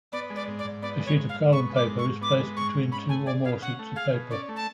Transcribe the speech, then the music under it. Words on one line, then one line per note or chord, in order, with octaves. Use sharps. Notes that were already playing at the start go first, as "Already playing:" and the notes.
A sheet of carbon paper is placed between two or more sheets of paper.
B3 D5
G#3
D5
G#2
D5
G#2
B3 D5
G#3
C#5
G#2
F5
G#2
B3 C#6
G#3
D6
G#2
C#6
G#2
B3 D6
G#3
G#2 C#6
G#2
C#4 B5
A3 G#5
G#4 D5
B2 F5
C#4 F#5
A3
G#4 F5
B2
C#4 D5
A3
A5